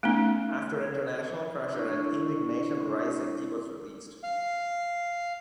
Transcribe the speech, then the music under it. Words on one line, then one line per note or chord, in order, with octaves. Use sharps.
After international pressure and indignation rising, he was released.
A3 B3 C#4 D#4
D4 E4 C#6
F5